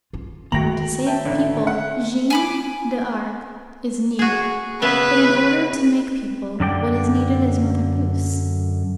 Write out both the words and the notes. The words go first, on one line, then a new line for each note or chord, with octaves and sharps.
In order to save the people, Jeanne d'Arc is needed; but in order to make people, what is needed is Mother Goose.
F4
D#3 F#4 G5 A#5 A#6 F#7
E5 G5 A5
A1 D3
E5 F#5
G#5 B5 D6
F#4 G#4
C#3 B3 B4 E5
F#2 D3 D5 G5